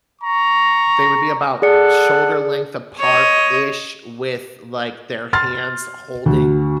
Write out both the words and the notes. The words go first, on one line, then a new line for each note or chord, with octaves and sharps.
they would be about shoulder length apart-ish with, like, their hands holding,
A#5 C#6
G#4 A4 D5 F#5 C#7
C#5 D#5
C6 F6 A6
D2 F#4